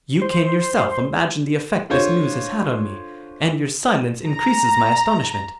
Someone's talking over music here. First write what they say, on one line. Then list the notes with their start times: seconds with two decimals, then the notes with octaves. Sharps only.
You can yourself imagine the effect this news has had on me, and your silence increases my astonishment.
0.22 C5
1.90 D3 F4 C5 C#5
4.28 A#5